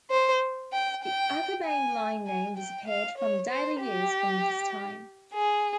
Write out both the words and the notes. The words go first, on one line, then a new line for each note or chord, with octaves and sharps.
The Akabane Line name disappeared from daily use from this time.
C5
G5
G5
G#5
G#5
G5
F5
C#5
C5
G4
G#4